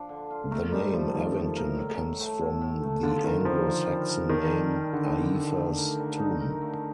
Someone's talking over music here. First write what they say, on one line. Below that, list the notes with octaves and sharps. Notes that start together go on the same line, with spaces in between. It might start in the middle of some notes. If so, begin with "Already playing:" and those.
The name Evington comes from the Anglo-Saxon name Aefa's Tun.
Already playing: F3 D4
D3
F4
A3 A#4
G3 D#4
F3 A3
A#2 D#3
A3
A#4
A2
A2
A3
A2
A2
A3
D3 F4
D#3 A#4
F3 G3
F4
G3
A#4
D#3 D4
G3
G3
D3 A4
G3
A4
A3
A#4
D3
D#4
A#4
A3